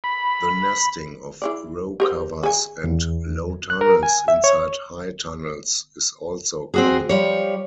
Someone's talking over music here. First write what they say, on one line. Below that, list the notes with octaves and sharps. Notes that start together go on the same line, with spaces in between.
The nesting of row covers and low tunnels inside high tunnels is also common.
B5
E4 G#4 D5
G4 A#4 C5
G#4 G#5
E2
F#6
A#4
G#5
E5
C#5
C4 F#4 G#4
F3 G3 C#5